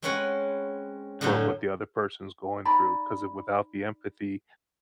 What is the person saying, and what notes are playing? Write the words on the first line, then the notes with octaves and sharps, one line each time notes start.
toward what the other person's going through, 'cause, it without the empathy,
G#3 C4 C#4 B4 C#5 F#5
A2 D3 F#3 C#4 C5
D#4 D5 A#5 B5